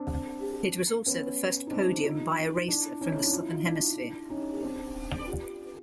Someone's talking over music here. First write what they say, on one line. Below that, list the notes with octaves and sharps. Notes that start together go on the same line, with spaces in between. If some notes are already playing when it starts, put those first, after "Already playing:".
It was also the first podium by a racer from the southern hemisphere.
Already playing: C4 D4
B3 C#4
D#4
C4 D4
D#4 F4
D4 E4
C#4 D#4
D4 E4
D4 E4
F4
E4
D#4 F4
D4 E4
C#4 D#4
C4 D4
F4 G4